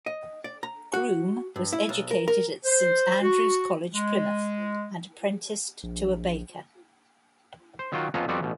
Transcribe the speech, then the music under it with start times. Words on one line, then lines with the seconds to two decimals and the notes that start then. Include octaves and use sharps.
Groom was educated at Saint Andrew's College, Plymouth and apprenticed to a baker.
0.06 D#5
0.44 D5
0.63 A#5
0.94 F#4
1.56 G2
1.73 E4
1.89 B1
2.11 A#4
2.28 A#4
2.65 C5
3.21 F#4
3.94 G#3
5.83 A#1
7.79 C5
7.92 D#3 F#3 F4 F#4 G5
8.14 F2 B3 C#4 F4 A4 A#5
8.28 F2 G3 B3 C4 F#4 D5
8.42 A1 B2